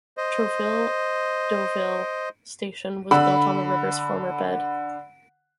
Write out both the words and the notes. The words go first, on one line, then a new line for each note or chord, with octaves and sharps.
Trouville-Deauville station was built on the river's former bed.
C5 D#5
D3 B5 E6